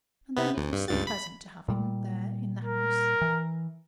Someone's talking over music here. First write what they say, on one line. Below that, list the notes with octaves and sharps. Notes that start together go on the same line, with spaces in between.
And then it was so pleasant to have him there in the house.
C3 B3
D2
G2
C#2 G2 A6
B5
A#2 G3
A#4
E3